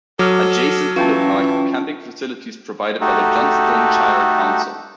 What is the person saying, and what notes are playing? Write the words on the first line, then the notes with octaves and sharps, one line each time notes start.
Adjacent to the park are camping facilities provided by the Johnstone Shire Council.
F#3 A4 D6 D#6 F6
E3 C#4 F4 G5 A5
A3 D#4 F#4 G4 A4